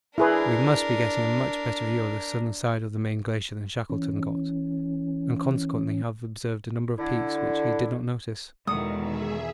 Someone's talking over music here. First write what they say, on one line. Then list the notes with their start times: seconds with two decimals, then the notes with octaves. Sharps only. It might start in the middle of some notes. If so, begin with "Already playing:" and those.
We must be getting a much better view of the southern side of the main glacier than Shackleton got, and consequently have observed a number of peaks which he did not notice.
0.18 D4 E4 G#4 A#4 B4
3.90 E3 C#4
6.98 D3 E4
8.67 E2 B2 D#3 G#3 A4 F#5 D#6
9.00 G#4 E5